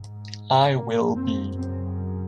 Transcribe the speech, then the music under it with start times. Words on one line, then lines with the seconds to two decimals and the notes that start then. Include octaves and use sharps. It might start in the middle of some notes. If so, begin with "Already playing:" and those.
I will be.
Already playing: G#2
0.75 A#3
1.16 F#2 C#3 C4
1.58 C4